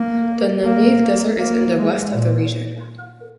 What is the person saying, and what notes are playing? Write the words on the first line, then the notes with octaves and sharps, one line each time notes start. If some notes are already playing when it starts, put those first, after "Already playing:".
The Namib Desert is in the west of the region.
Already playing: A#3
A#3
A#3
G#3
A#2